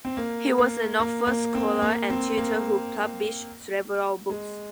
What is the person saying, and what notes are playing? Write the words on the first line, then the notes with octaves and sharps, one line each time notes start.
He was an Oxford scholar and tutor who published several books.
C4
A#3
A#3
A#3
A#3
C4
A#3
C4
A#3
G#3